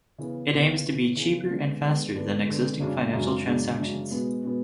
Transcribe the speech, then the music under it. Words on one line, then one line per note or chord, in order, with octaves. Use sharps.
It aims to be cheaper and faster than existing financial transactions.
C#3 E3 B3
C#3 E3 B3
C#3 E3 B3
C#3 E3 B3
D3 G#3 B3 D4
D3 G#3 B3 D4
D3 G#3 B3 D4
D3 G#3 B3 D4
F#2 C#3 G#3 D4
F#2 C#3 G#3 D4
F#2 C#3 G#3 D4
F#2 C#3 G#3 D4
B2 G#3 B3
B2 G#3 B3